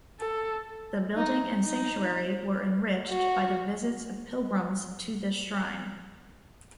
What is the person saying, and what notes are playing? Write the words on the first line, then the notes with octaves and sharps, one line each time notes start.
The building and sanctuary were enriched by the visits of pilgrims to this shrine.
A4
D#4
D#4
F#4